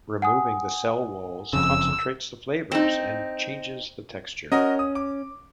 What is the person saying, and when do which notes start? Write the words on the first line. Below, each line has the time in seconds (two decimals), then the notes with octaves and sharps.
Removing the cell walls concentrates the flavours and changes the texture.
0.22 F#5 G#5 D#6
1.53 F#1 F2 C#3 E6
2.72 C4 D#4
4.52 C#4 F#4 A#4 D#5
4.79 D#6
4.95 D6